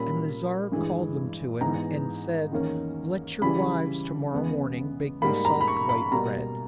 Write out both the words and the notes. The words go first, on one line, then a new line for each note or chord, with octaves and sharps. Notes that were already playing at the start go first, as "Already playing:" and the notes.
And the Tsar called them to him and said: "Let your wives, to-morrow morning, bake me soft white bread."
Already playing: A#2 G3 A#3 C#4 B5
G2 E3 G#3
G#2 E3 G#3 B3 A#5
E2 D#3 A#3 C#4
C#3 E3 G3 B5
E2 C#3 G#3 B3
G#2 G3 A#3 B5
A#5
B5
C#6
B5
B2 G3 A#3 A#5